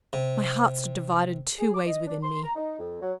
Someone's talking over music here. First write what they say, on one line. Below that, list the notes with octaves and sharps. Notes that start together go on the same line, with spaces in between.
My heart stood divided two ways within me.
C3
G#4
D6
D#5
D4
C6
A#5
D#4
F2
F#3